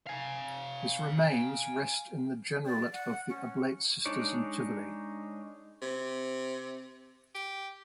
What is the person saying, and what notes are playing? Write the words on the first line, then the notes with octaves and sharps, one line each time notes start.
His remains rest in the generalate of the Oblate Sisters in Tivoli.
F5 G#5
D5
F#5
C#4
G#3 D4 D#4 C#5 D5
C3
G4